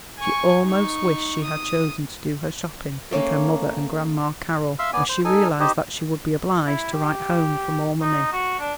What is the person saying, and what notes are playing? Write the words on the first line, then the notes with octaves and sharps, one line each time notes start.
She almost wished she had chosen to do her shopping with her mother and Grandma Carroll, as she realised that she would be obliged to write home for more money.
G#5 C#6
D#4 C#6
D#6
A3 A#3 C#4
E5 F5 C6 E6
B3 D5 G#5
C5
D#4 A4 G#5
D#4 G4 C5 D#5
E4
G4
D#4
F#4
D4